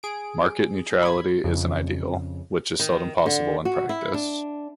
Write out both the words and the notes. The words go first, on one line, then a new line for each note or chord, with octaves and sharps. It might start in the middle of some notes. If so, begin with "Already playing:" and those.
Market neutrality is an ideal, which is seldom possible in practice.
G#4 D7
B5 G#6
F2 C#3
D#3
D3
F#4
E4
D4